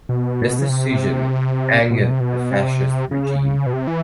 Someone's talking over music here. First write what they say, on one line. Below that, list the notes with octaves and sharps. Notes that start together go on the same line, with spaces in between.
This decision angered the Fascist regime.
B2
C#3
C3
B2
C3
B2
C3
C#3
B2
C3
E3